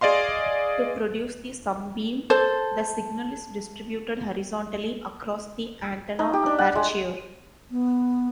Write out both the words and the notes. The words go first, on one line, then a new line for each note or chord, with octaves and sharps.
To produce the sum beam the signal is distributed horizontally across the antenna aperture.
G#4 D5 D#5 F5 C6
A4 C5
D#4
G4
D4
F#5
G#3
B3